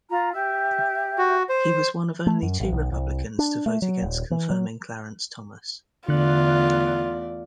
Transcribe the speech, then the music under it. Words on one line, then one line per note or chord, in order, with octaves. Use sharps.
He was one of only two Republicans to vote against confirming Clarence Thomas.
F4 A#5
G4 E5
F#4
C5
A3
F#2
A1
B1
C2
D4
A3
F#3
D#1
E3
F#3
E2 D3 A3 F4 D5 F#6